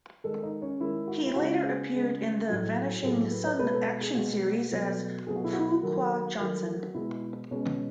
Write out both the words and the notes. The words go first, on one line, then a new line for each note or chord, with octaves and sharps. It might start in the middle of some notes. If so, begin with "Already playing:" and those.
He later appeared in the "Vanishing Son" action series as Fu Qua Johnson.
D#3 G#3 A4
D#4
C#4
D#3 G#3 E4
F#4
E4
C#3 G#3 F#4
G#4
C#3 G#3
A2 F#3 A3
A2 F#3 A3 G#4
B4
C#5
B2 G#3 B4
A4
A4
G#4
B2 G#3 F#4
B2 F#3 A3
B2 F#3 A3 G#4
F#4
E4
F#4
D#3 F#3 A3
D#3 F#3 A3
B2 G#3 E4
B2 G#3 C#4